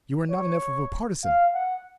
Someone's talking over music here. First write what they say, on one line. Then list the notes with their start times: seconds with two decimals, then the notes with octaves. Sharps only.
You are not enough of a partisan.
0.31 C#5
1.24 F5
1.54 F#5